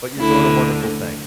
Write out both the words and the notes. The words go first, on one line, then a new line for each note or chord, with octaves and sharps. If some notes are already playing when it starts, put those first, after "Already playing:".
But you're doing a wonderful thing.
D2 D3 E4